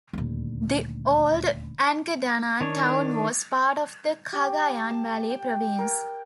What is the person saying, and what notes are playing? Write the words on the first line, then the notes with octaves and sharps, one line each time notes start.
The old Angadanan town was part of the Cagayan Valley province.
D#1 D2
D#3 D4 C#5
G4
A5
G5
A#4